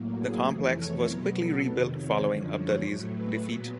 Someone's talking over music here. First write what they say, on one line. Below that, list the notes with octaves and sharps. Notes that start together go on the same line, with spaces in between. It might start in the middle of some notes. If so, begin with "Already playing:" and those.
The complex was quickly rebuilt following Abdali's defeat.
Already playing: A2 F#3 A#3
G#4
F2 C3 E3 A3
C#5
B2 F#3 B3 A#4
A4
F2 C3 D#3 B4
C#5
F#2 D3 F3 D5
C#5
A2 F#3 A3 C5
B4
A#2 F#3 B3 G#4